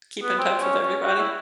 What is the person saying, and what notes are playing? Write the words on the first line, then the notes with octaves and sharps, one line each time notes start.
Keep in touch with everybody.
B3
C4
C#4
C#4
F#4
E4